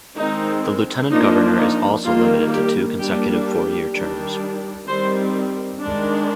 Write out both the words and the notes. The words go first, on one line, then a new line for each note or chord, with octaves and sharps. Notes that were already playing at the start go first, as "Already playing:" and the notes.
The Lieutenant Governor is also limited to two consecutive four-year terms.
D#3 G#3 C4 D#4
F3 A#3 D4 D#4
D#4
D#3 G3 A#3 F4
G4
G3 A#3 D4 G4
G4
D#3 G3 D4
D#3 G3 C4 C5
D#3 G#3 D4